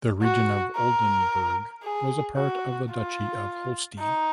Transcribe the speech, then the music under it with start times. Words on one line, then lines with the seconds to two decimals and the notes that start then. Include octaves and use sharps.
The region of Oldenburg was a part of the Duchy of Holstein.
0.22 F#4
0.76 A#4
1.83 G#4
2.37 F#4
2.91 F4
3.99 D#4